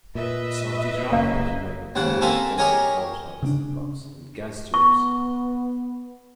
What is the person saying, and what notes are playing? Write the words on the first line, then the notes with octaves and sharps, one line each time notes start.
Some of these rifles may exhibit canted front sight blocks and gas tubes.
A#2 B4 D#5 E5
F#1 A#3 C#4 F5
D#2 G#2 C#3 F#5
A#3 C4 A4 A#4 E5 G#5
G4 G#4 A#4 C#5 D#5 G#5
C#3 C4 D4
B3 C#6